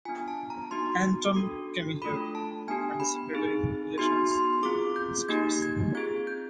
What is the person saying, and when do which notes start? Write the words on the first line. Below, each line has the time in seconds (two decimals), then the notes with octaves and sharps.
Antoine Camilleri, under-secretary for Relations with States.
0.05 B3 D4 F4 G#5
0.28 A5
0.50 A#5
0.71 B3 D#4 F#4 C6
1.36 D4 F#4 A4
2.02 A3 D4 F4 A4 B5
2.35 A5
2.68 B3 D4 G4 G#5
3.00 B5
3.33 C4 D#4 G#4
3.98 B3 D#4 F#4 C6
4.32 C6
4.63 C4 F4 G#4 D6
4.96 G6
5.28 A#3 D#4 G4 G#6
5.62 G#6
5.95 C4 F4 G#4 G#6
6.27 G6